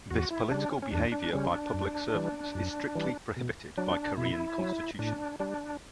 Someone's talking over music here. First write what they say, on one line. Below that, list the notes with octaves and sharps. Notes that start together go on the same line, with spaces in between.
This political behavior by public servants is strictly prohibited by Korean Constitution.
E2 F#4
E4
C#3 G3 D4
C#4
C#4
E2 D4
D4
C#3 G3 C#4
D4
F#2
E3 G3
F#2
E3 G3
B2
F#3 D4
B2 E4
F#3
A2 D4
G3 D4